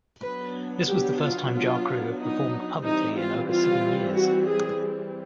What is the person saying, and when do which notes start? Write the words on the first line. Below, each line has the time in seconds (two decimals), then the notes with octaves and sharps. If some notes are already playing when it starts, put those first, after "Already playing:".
This was the first time Jarcrew have performed publicly in over seven years.
0.22 F#3 B3 D4 B4
0.88 G4
1.20 F4
1.53 F4
2.18 D#4
2.83 E3 G3 C4 D#4
3.16 F4
3.49 F4
4.14 F#4
4.46 G#4